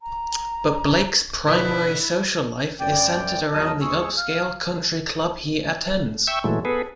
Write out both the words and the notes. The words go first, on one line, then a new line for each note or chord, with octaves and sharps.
But Blake's primary social life is centered around the upscale country club he attends.
A#5
B2 D3 E4 B4 D#5
F#2 D5 G5
E2 F#3 A#4 D#5 A5 D#6
D#2 G#3 G#4 C#6 E6
F5
E5 G5 C#6 E6
A#2 E3 F#3 G#3 A3
B3 G#4 A4 B4